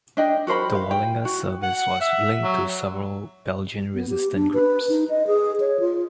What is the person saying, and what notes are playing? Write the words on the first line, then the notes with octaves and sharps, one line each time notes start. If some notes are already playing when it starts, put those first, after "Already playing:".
The Wallinger service was linked to several Belgian resistance groups.
D4 D#5 G5
F#4 A#4 C5 B5
F5
G5
F#4
F#5
E5
F#3
B3
G4
D4
B4
D#4
D#5
G#4
C#5
F4